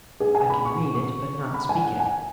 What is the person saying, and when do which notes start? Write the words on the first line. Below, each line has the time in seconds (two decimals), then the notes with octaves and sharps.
"I can read it, but not speak it."
0.20 G#4
0.35 G#5
0.50 B5
0.65 C#6
0.94 C#6
1.54 B5
1.69 G#5
1.84 F#5
2.00 G#5